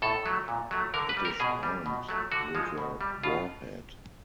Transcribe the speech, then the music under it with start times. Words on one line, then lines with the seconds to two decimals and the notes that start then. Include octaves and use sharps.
It is armed with a warhead.
0.02 A2 A4
0.26 F#3 A3
0.48 A#2
0.71 F#3 A3
0.94 D3 A#4
1.09 B4
1.17 G3
1.25 A#4
1.40 B2 G#4
1.63 G3
1.86 B2
2.09 F#3 A3
2.32 D3 F#4
2.55 F3 G#3
2.78 B2
3.01 G3
3.23 B2 F4